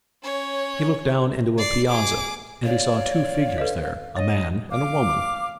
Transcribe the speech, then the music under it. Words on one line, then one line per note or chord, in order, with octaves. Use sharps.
He looked down into a piazza and he saw two figures there, a man and a woman.
C#4 C#5
D5 C7
G#4 D6
C#5 D5 F5
A4 B4 D#5
C#5 D#5
F5 D6